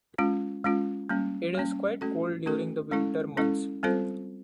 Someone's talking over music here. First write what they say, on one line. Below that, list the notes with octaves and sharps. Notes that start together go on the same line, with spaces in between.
It is quite cold during the winter months.
G#3 C#4 F4
G#3 C#4 F4
G3 A#3 C#4
G3 A#3 C#4
A3 C#4 F#4 A4
A3 C#4 F#4 A4
G#3 C#4 E4 A4
G#3 C#4 E4 A4
G3 C4 F4 A4 C5